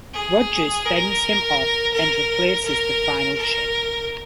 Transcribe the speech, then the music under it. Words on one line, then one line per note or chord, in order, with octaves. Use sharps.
Rogers fends him off and replaces the final chip.
G#4
A#4
A#4
A#4
A#4